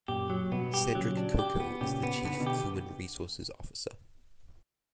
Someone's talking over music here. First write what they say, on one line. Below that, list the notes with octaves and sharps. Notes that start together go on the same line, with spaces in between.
Cedric Coco is the Chief Human Resources Officer.
F#2 A#2 G4
F#3
G2 B2 B3
G4
A#2 C#3 F#3
D4
G4
B3
A#2 C#3 G4
B3
D3 B3
C#3
B2 D3
G4